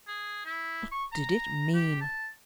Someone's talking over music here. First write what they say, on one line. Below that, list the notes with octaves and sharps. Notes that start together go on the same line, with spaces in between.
What did it mean?
G#4
E4
C#6
A#5
G4
A5